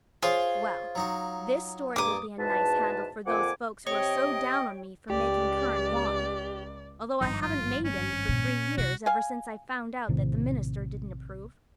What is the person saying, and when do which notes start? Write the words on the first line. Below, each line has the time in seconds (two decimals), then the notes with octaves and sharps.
Well, this story will be a nice handle for those folks who are so down on me for making currant wine, although I haven't made any for three years ever since I found out that the minister didn't approve.
0.23 F4 G#4 C5 C#5
0.95 F#3 D#4 F#4
1.96 G2 A#3 D6 D#6
2.38 E2 G#2 B2 B4 A5
3.26 F2 A#2 F3 F#5 G#5 D6
3.86 C3 C#5 D#5 G5
5.10 C#2 G4 D5
7.21 G#1 G2 F3 D#4
7.41 F4
7.85 C#4
8.29 A#2
8.78 C2 F#4
9.06 F5 G#5
10.09 A#1 A2 C3 D#3